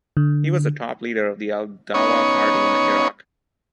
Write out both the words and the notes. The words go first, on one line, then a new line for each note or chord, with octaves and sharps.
He was a top leader of the Al-Da'wa Party in Iraq.
D3
B3 C#4 D#4 C#5